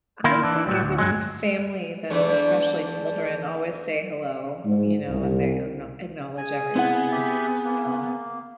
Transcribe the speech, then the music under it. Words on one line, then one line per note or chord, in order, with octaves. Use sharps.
I would think if it's a family, then especially children always say "hello", you know, and they ackno acknowledge everyone, so
D#3 A#3 E4 F4
E3 D4
A2 C3 F#3 G3
D2
G2 F#3 G#3
E2 A3 D4
G#2
C2
G#4 G#5
B3 C4 E4 F#5
G4 E5
A#3